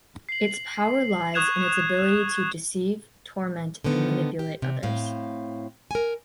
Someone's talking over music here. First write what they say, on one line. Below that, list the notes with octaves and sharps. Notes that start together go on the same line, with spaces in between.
Its power lies in its ability to deceive, torment and manipulate others.
C7 F#7
C#6 D#6 F#6 G#6 E7 F7
D3 D#3 B3 A4
G4
C3
A2 C4 F5
A#4 G#5